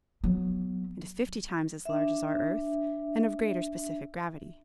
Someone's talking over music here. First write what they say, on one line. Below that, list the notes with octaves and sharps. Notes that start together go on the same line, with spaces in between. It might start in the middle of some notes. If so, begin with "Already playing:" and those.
It is fifty times as large as our Earth and of greater specific gravity.
F#3 B3
D4 E5